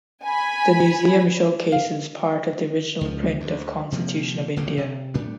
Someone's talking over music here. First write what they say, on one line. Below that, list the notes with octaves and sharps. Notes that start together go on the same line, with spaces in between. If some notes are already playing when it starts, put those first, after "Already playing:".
The museum showcases part of the original print of constitution of India.
G#5 B5
F5
C#2 F3
D2
C3 F3 G3 A#3
D1 C2 A2 A#3
C3
A2 G3 A3 D4